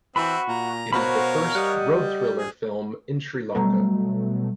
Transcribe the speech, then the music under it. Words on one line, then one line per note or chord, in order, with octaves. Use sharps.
It is the first road thriller film in Sri Lanka.
E3 C4 F#4 E5 B5
A#2 A#5
B2 F#4 A#4 C5 C#5 F5 B5
G3 D#5 F#5
G#4
B2 F#3 G3 A3 A#5